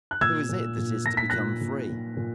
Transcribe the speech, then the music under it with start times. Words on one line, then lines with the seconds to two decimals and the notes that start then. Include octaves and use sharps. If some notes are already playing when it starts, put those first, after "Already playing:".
Who is it that is to become free?
0.11 F#6
0.21 A#2 E6 G#6
0.49 A#2
0.77 A#2
1.05 A#2 A#6
1.17 B6
1.30 A#2 F#6 A#6
1.61 A#2
1.90 A#2
2.17 A#2